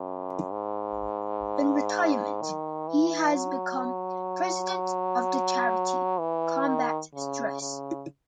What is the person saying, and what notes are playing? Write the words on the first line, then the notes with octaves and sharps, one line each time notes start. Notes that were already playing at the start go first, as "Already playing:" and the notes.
In retirement he has become President of the charity "Combat Stress".
Already playing: F#2
G#2
D#3
E3
F#3
E3
D#3
C#3
C#3